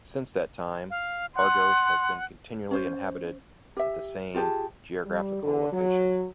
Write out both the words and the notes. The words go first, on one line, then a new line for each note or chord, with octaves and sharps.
Since that time, Argos has been continually inhabited at the same geographical location.
F5
F#5 C6
C#4 C5
G4 E5
F4 G4 G#4 A5
G3
D3
F#3